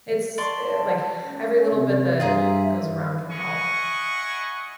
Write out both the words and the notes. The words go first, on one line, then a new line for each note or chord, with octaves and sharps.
it's, eh, like, every little bit that goes around can help.
D5 A5 C6 C#6
C#4
C3
G2 F4 G#4 E5 A#5
E4 D#5 F#5 G#5 C#6